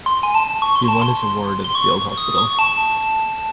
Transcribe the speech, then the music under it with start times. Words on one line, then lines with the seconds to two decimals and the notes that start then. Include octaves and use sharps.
He won his award at the field hospital.
0.06 C6
0.23 G#5
0.35 A5
0.62 C#6
0.76 C6
0.88 A5
1.01 C6
1.64 C6
1.75 C#6
2.17 D#6
2.38 C#6
2.59 A5